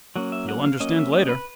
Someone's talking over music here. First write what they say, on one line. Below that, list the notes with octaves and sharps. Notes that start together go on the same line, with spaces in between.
You'll understand later....
F#3 A#3 C#4 F#5
E5
F#5
F5
F#3 A#3 C#4 D#5
E5
D#5
B4